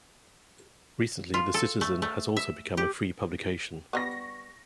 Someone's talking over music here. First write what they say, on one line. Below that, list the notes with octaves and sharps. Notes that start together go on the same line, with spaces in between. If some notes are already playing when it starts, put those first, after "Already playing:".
Recently, the Citizen has also become a free publication.
F4
A4
A3
A3
E5
G4
G3 B3 C#6 A#6